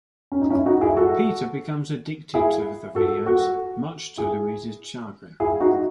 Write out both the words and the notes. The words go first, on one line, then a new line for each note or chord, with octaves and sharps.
Peter becomes addicted to the videos, much to Lois's chagrin.
C#4
D#4
C#4 E4
D#4 F#4
E4 G#4
F#4 A4
E4 G#4
F#4 A4
F#4 A4
E4 G#4
E4 G#4
D#4 F#4